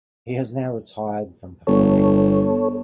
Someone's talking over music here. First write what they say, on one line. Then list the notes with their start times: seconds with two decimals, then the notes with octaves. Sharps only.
He has now retired from performing.
1.67 G1 A4 C#5